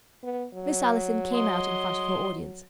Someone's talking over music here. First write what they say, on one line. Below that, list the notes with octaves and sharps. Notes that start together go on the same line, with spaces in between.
Miss Allison came out in front of her audience.
B3
F#3
D#5 C6